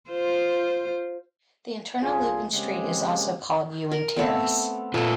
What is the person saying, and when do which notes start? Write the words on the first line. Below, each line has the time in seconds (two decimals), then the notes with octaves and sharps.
The internal looping street is also called Ewing Terrace.
0.10 F4 C5
2.01 C2 D4 F4 G#4
2.52 C#3 G#3 A#3 C4 G4
3.91 A#4
4.16 A3 B3 C4
4.94 A#2 A3 F4 A4 B4